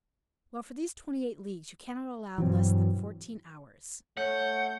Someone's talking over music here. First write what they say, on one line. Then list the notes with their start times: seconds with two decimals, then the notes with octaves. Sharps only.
"Well; for these twenty-eight leagues you cannot allow less than fourteen hours?"
2.38 G2 B2 E3 F#3 C4
4.17 A3 C#5 F#5 G6